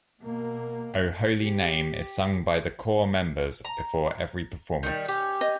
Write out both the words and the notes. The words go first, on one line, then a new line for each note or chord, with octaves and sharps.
"O Holy Name" is sung by the corps members before every performance.
B2 A#3
G4
A#5
D#3 G3
C#4 G4
D#5